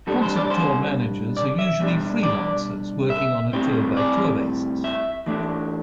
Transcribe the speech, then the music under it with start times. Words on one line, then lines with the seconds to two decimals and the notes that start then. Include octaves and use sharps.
Concert tour managers are usually freelancers working on a tour-by-tour basis.
0.07 C3 G3 D4 A4
0.21 C5
0.36 D5
0.50 C5
1.37 D5
1.59 E5
1.80 B2 G3 D4
2.23 D5
3.10 E5
3.53 A2 G3 C4
3.97 D5
4.84 E5
5.26 E3 A3 D4